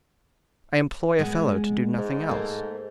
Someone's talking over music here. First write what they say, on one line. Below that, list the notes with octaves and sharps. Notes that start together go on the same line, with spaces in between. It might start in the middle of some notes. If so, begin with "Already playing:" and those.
I employ a fellow to do nothing else.
G#3 B3
G#2
A3 A#3